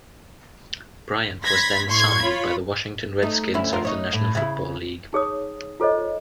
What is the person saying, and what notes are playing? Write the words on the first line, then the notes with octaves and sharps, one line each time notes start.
Bryant was then signed by the Washington Redskins of the National Football League.
B5 C6 G#6 A#6 B6
A2 C6 C#6 G#6
F4 C#5 B5
A3 D#4
D2 C#4 E4
F2 F4 A#4
D#4 C#5
A2
C#3 E4
D#4 G#4 C#5 D#6
F4 A4 C5 C#5 D#5